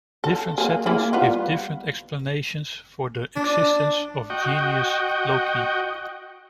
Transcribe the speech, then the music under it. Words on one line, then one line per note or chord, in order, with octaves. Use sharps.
Different settings give different explanations for the existence of genius loci.
A4
A#3 G#4
A#3 E4 G#4
G3 B3 F4
D4
F#4 D#5 G5